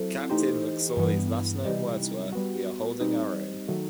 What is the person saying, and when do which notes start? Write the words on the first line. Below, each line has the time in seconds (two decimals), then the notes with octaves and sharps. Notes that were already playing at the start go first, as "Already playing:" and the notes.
Captain McSorley's last known words were, We are holding our own.
Already playing: F#3 C4 E4 A4
0.30 E3 A3 D#4 G4 C5
0.97 G2 E3 B3
1.65 C3 E3 G3 D#4
2.33 G3 B3 F#4
3.00 G3 C4 D#4
3.68 D#3 F#3 A3